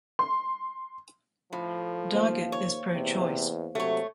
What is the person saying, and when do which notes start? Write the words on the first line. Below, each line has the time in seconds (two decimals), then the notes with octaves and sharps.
Doggett is pro-choice.
0.19 C6
1.53 A2 F3
2.15 D#2 A#3 C5 F5
2.52 C#5
2.94 E2 C3
3.75 C3 F#3 A3 C#5